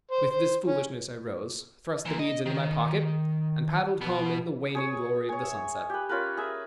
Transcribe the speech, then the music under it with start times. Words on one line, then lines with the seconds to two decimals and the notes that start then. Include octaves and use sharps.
With this foolishness I rose, thrust the beads into my pocket, and paddled home in the waning glory of the sunset.
0.11 C5
0.30 C5
0.66 C#4
2.06 E3 A#3
2.19 D#5
2.46 D#3
4.01 B2 B3
4.75 G#4 C#5 C#6
5.29 C#5 G#5
5.44 E5
5.90 G4 B4
6.09 C#4 F4 A#4 B4
6.37 G#4 E5